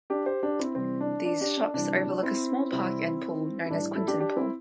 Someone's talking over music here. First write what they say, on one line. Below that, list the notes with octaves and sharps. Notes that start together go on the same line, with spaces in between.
These shops overlook a small park and pool known as Quinton Pool.
D4 G4
G4 C5
D4 G4
C4 E4
C3 E3 G3 C4
D4
D4
D4 G4
D4
C3 E3 G3 D4
C4 E4
C3 E3 G3 C4 E4
E4
A2 E3 G3 D4
E4 A4
D4 G4
D4 G4
C4 E4